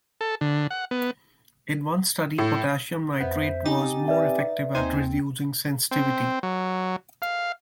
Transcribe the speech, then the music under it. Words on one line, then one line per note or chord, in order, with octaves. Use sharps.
In one study, potassium nitrate was more effective at reducing sensitivity.
A4
D3
F#5
B3
A2
F2 B3 C5 E5
C4 D#4 G4 G#5 A6
B4 D5 E5
D#2 C4 D#4 C5 G#5
C4
F#3
F5